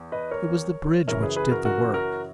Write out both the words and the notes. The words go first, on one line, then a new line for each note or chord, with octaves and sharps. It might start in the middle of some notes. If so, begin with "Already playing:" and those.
It was the bridge which did the work.
Already playing: E2
B4 D#5
A#4 C#5
F#2 C#3 E3 A#4 C#5
G#4 B4
G#4 B4
F#4 A#4
F#4 A#4
F#4 A#4